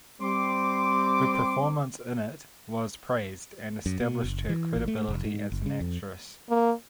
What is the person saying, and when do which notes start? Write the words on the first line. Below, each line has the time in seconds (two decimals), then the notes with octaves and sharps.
Her performance in it was praised and established her credibility as an actress.
0.21 G3 C4 C6 D6
3.86 F#2
4.00 B2
4.24 F#1
4.49 E3
4.76 A1
4.88 A3
5.08 F1
5.25 G#2
5.52 F#1
5.66 C#3
5.81 F2
6.50 A#3